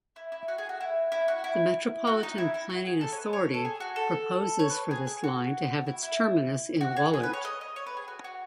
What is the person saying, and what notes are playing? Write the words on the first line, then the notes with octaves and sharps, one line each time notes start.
The Metropolitan Planning Authority proposes for this line to have its terminus in Wollert.
E4
E4
F#4
G#4
F#4
E4
E4
F#4
E4
F#4
D#4
E4
E4
F#4
G#4
A4
C#5
B4
C#5
A4
G#4
F#4
A4
C#5
B4
G#4
G#4
F#4
E4
E4
F#4
G#4
G#4
B4
C#5
D#5
D#5
C#5
B4
G#4
F#4
F#4